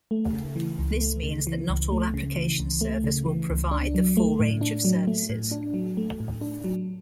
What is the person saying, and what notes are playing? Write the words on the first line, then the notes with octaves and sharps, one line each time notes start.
This means that not all application servers will provide the full range of services.
A3
C#3
E3
C#2
A3
C#3
E3
C#2
A3
C#3
E3
C#2
A3
C#3
E3
C#2
D4
F#3
A3
A2
D4
F#3
A3
A2
D4
F#3
A3
A2
D4
F#3